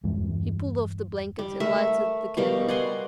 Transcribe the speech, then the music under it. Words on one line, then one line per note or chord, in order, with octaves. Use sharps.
He pulled off the blanket and lighted the candle.
E2 G2 E3 G#3
G3
A3 A#4 E5
B2 G3 A#4 F5
D5 F#5 G#5 C6